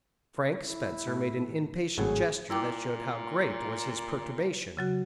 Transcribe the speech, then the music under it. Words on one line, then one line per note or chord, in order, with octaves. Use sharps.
Frank Spencer made an impatient gesture that showed how great was his perturbation.
E4
A2
G#1 A2 F#3 G#4
A#2 E4 G5 D6
C#3 F#3 F#4